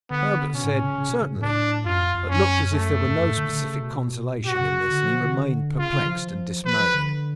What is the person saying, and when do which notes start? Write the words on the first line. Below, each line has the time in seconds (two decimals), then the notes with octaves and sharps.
Herbert said, "Certainly," but looked as if there were no specific consolation in this, and remained perplexed and dismayed.
0.10 D3 B3
0.54 B2 C#4
0.64 G#2
0.68 A2
0.83 C#3
0.98 C#3
1.09 B2
1.22 C#3
1.37 G#2
1.41 A2 D4
1.85 F#2 F4
1.99 F2
2.14 F2
2.28 F#2 C#4
2.73 A3
3.07 G#2
3.16 F#2
3.27 A2
3.37 D3
3.49 D3
3.60 C#3
3.81 B2
4.40 A2
4.46 B2 F#4
4.61 C#3
4.90 D3
5.05 F3
5.20 D3
5.34 D3
5.77 C#3 F4
5.92 C#3
6.00 D3
6.07 F3
6.65 F3 B4
6.80 F3
6.95 D3